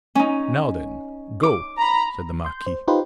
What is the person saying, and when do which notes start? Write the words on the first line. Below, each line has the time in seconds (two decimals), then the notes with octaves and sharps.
"Now, then, go," said the marquis.
0.15 C#4 D#4
1.43 D6
1.78 A#5 B5
2.45 C6 G6
2.66 C5
2.88 D#4 F4 G4 B4 C5